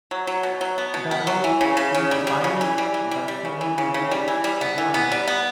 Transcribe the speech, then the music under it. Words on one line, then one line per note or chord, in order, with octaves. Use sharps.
The rope will bind the seven books at once.
F#3
F#3
B2
F#3
B3
B2
B3
F#3
E3
C#3
C#3
C#3
G3
G3
C#3
E3
G3
E3
G3
G3
C#3
E3
C#3
C#3
G3
E3
G3
B3
E3
B3
G3
B3